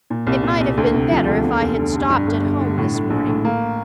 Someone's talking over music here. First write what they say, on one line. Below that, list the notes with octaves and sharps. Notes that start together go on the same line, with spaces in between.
It might have been better if I had stopped at home this morning.
A#2
C2
A#2
C2
D2
C3
F3
D2
E2
F1
D3
F1
G2
G1
G1
D3
A2
A2
A#1
A2
A#3